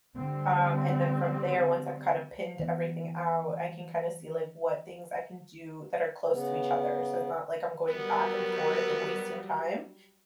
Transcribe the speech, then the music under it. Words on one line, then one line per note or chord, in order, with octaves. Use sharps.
um, and then from there, once I've kind of pinned everything out, I can kinda see, like, what things I can do that are close to each other, so it's not like I'm going back and forth and wasting time.
D3 G3 C4
E3 B3
C#3 B3
F#3 G3 B3 A#4